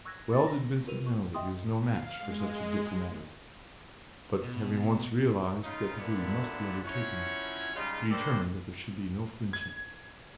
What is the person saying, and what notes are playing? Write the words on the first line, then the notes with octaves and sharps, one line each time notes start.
Well did Vincent know that he was no match for such a diplomatist; but having once realized that the duty must be undertaken, he determined that there should be no flinching.
C#6 E6 F#6 G#6 A#6
A6
A#6
F4 G4 A#4 B4 D#7 F7
C#6
D#5 E5 G5 C6 D#6
F5
G#3
B2
C#3 D#4 F4
F#2 A#2 D3 B3 D4 E4
F3 C#4 E4 F#4 C#5
C#3 G3 G#3 D#4 F4
A#3 D4 G4 A4 B4 C5
G#6